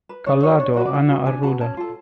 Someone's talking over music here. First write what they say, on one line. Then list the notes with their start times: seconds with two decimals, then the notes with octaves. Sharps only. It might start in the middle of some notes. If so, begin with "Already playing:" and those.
Callado, Ana Arruda.
0.09 B4
0.26 D4 C#5
0.43 F#4 B4 C#5
0.59 D4 C#5
0.76 F#4 B4 C#5
0.85 D5
0.93 D4 F#5
1.09 F#4 B4
1.26 D4 G#5
1.43 F#4 B4 A5
1.61 C#4 A5
1.77 F4 A4